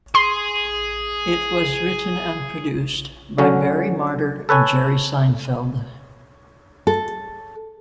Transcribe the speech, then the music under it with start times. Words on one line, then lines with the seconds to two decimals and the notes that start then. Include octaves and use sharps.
It was written and produced by Barry Marder and Jerry Seinfeld.
0.15 G#4 C6
3.38 D3 F#3 C#4
4.49 A4 B4 C#5 G#5
6.87 A4